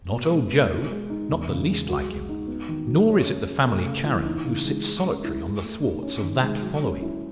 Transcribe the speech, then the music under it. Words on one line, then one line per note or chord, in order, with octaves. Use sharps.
Not old Joe, not the least like him. Nor is it the family Charon who sits solitary on the thwarts of that following.
B2
G#3
B3
F#4
G#3
D#4
E2
C#3
G#3
F#4
G#3
D#4
B3
D#3
F#3
C#5
C#4
G#4
A3
C#3
E3
D#4
C#3
G#3
G#4
C#4
E4
G#4
A3
D#4
C#4
D#3
G#3
F#3
C#4
E4